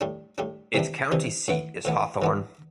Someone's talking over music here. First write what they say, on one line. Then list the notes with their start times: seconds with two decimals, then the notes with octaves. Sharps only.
Its county seat is Hawthorne.
0.01 A2 G3 D4
0.38 A2 G3 D4
0.74 C3 E3 G3 D4
1.12 C3 E3 G3 D4
1.48 A2 E3 B3
1.85 A2 E3 B3
2.22 E3 B3 D4